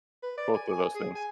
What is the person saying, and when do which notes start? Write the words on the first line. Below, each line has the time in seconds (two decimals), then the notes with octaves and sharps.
Both of those things.
0.23 B4
0.37 D5
0.53 G#5
0.73 G#5
0.95 G#4
1.15 G#5